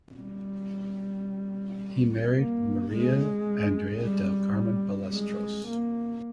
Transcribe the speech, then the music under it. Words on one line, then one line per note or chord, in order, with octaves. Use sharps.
He married Maria Andrea del Carmen Ballesteros.
G3
A#3
G#3
G3
G#3
A#3